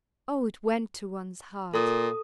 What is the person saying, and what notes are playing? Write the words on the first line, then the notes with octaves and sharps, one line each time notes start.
O! it went to one's heart!
A#2 A4 D#6